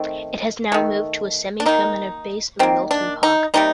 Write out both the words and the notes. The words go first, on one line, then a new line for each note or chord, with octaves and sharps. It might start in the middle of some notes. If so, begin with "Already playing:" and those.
It has now moved to a semi-permanent base in Milton Park.
Already playing: D#3 A3 C4
D#3 A3
D4
D#3 A#3 D#4
D#3 A#3 C4
D4
D#4
C3 G3 A#3 D#4